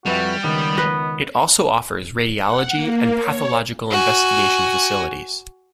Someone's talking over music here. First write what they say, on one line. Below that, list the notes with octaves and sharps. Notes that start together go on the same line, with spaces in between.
It also offers radiology and pathological investigation facilities.
F2 G3 F#4 B4 E5
C#2 D#3 B3
B4 D#5
F#5
A#3
C#5
F#4 G#5